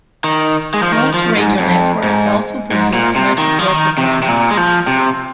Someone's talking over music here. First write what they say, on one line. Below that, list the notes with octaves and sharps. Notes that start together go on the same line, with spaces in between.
Most radio networks also produce much of their programming.
D#3
G#3
F3
D#3
F3
G#2
F2
G#2
G#2
A#2
C3
D#3
F3
D#3
C3
C3
A#2
G#3
F3
C3